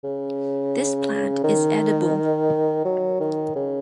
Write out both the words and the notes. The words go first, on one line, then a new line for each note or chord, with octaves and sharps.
This plant is edible.
C#3
D#3
F#3
D#3
C#3